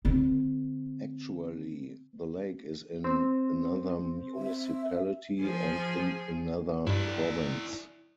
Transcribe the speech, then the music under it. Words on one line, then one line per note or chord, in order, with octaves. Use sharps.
Actually, the lake is in another municipality and in another province.
D3 C4
C4
E5
F3 G#4
G2 E4 D5